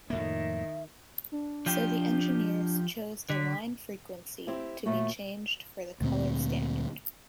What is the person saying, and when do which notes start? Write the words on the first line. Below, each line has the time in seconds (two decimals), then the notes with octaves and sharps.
So the engineers chose the line frequency to be changed for the color standard.
0.10 F2 A2 D#3 A#3 E5
1.32 D4
1.66 F3 G4
3.30 D3 B6
4.47 C4 E4 G4
4.86 D#2 A#2 A3 F#4
6.01 D2 A#2 G#3 C4